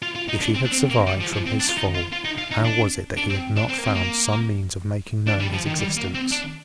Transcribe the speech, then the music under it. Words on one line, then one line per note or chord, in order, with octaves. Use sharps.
If he had survived from his fall, how was it that he had not found some means of making known his existence?
F4
F4
D#4
D4
C4
D4
C4
A#3
G3
F3
F3
C4
D4
F4
D#4
F4
F4
D#4
F4
D#4
D4
D4
C4
D4
C4
A#3
C4
A#3
D4
G3
F3
D#3
G3
A#3
C4
D4